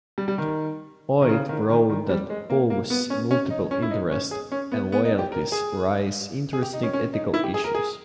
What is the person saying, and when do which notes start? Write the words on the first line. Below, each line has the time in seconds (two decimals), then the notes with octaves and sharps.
Hoyt wrote that Pogue's multiple interests and loyalties raise interesting ethical issues.
0.18 G3
0.28 G3
0.38 D#3
1.22 D#3
1.29 C#3
1.49 D#3
1.69 D#3
1.89 D#3
2.09 G3
2.30 G#3
2.50 A#3
2.70 A#3
2.90 B3
3.10 C#4
3.31 C#4
3.50 D#4
3.71 C#4
3.82 E4
3.91 D#4
4.11 C#4
4.31 G#4
4.52 C#4
4.72 B3
4.92 B3
5.05 D#4
5.19 G4
5.32 A#4
5.52 G#4
6.53 G#4
6.63 G4
6.73 D#4
6.83 C#4
6.93 C#4
7.13 D#4
7.34 E4
7.44 G4
7.54 G#4
7.64 A#4
7.75 G#4